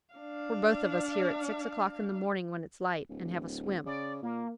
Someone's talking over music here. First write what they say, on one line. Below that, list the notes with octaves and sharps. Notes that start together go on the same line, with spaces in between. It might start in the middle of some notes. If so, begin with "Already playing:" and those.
We're both of us here at six o'clock in the morning, when it's light, and have a swim.
D4 F5
D1
C#3 D5
A#2 A#3